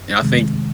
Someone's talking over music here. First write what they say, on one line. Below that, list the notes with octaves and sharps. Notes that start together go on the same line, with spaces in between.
and I think,
C3 D#3 G#3